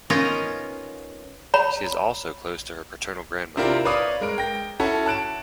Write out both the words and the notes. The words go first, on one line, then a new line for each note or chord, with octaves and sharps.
She is also close to her paternal grandmother.
B3 C#4 D#4 F4 A#4
C#5 A#5 B5
C3 C4 D4 E4 F4 A#4
B4 C#5 D5 F5 D6 D#6
G#3 A#4 D7
G5 A#6
C#4 E4 F#4 A4
A5 F#6 D7 E7